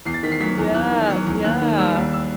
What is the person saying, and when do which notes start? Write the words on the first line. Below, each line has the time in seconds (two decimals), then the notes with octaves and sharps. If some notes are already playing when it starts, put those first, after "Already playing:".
Yeah, yeah.
0.06 E2 C7
0.14 A6
0.23 D#3 B6
0.32 C7
0.40 F#3 B6
0.58 E2
0.74 E2 F#6
0.91 D#3
1.10 F#3
1.26 E2
1.44 D#2 F#6
1.62 D#3
1.79 G3 E6
1.96 D#2
2.13 E6